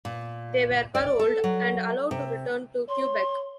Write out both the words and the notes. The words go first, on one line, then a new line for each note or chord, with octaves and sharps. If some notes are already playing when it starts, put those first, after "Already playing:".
They were paroled and allowed to return to Quebec.
A#2
D5
A4
F#3
C3
C#5 C6